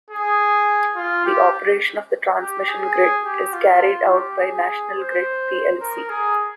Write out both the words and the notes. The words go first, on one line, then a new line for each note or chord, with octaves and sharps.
The operation of the transmission grid is carried out by National Grid plc.
G#4
F4
G4
G4
G#4
G4
F4
G4
G#4
C5
A#4
G#4